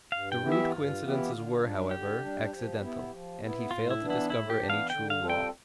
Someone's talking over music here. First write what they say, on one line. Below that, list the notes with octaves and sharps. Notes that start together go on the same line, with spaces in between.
The rude coincidences were, however, accidental, and he failed to discover any true law.
G2 F5
G5
E3 B3 E4 G4
E5
G2 F4
E3 B3 E4 G4
D3
G3 D4
D3 G4
G3 D4
F3
B3 E4
F3
B3 E4
A2 F4
E4
E3 B3 D4
E4
A2 E4
G4
E3 B3 D4
F5
D3 G5
F5
G3 C4 F4 A4
G5